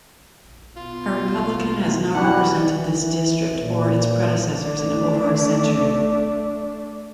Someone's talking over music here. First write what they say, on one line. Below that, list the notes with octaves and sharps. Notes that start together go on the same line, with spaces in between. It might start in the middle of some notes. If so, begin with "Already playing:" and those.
A Republican has not represented this district or its predecessors in over a century.
B2 B3 F4
E3 F#3 G3 E4 F#4 F#5
E3
A#2
A3 D4